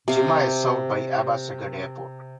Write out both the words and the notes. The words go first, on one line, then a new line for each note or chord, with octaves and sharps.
Jimma is served by Aba Segud Airport.
C3 F5